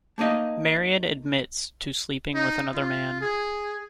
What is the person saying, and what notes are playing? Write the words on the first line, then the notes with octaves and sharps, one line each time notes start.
Marian admits to sleeping with another man.
A3 A#3 D#4 D#5 F5
D#4
F4
G#4